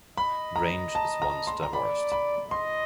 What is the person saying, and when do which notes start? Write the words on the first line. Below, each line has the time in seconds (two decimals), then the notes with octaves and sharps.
Grange is once divorced.
0.17 D#5 B5
0.56 A#5
0.95 A5
1.22 A#5
1.47 C6
1.63 A#5
1.73 D5 B5
2.12 B5
2.51 D#5 C6